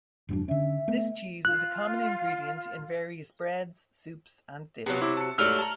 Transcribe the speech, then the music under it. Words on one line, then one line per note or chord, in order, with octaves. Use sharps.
This cheese is a common ingredient in various breads, soups, and dips.
F1 G#2 F#3 D4
D3 C#4 E5
A3 B3
F4 F#6
B1 C3 F#3 B3
E4 D6 E6
A5 C#7
G#2 F#3 G3 A3 E4 E6 F6 F7
A5 A#5